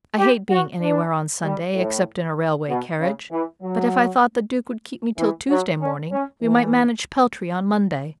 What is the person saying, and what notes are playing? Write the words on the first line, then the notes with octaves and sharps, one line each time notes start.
I hate being anywhere on Sunday except in a railway carriage. But if I thought the Duke would keep me till Tuesday morning we might manage Peltry on Monday.
G4
F#4
D4
G3
A2
B2
C#3
E3
F#3
E3
F#3
C#4
C#4
E3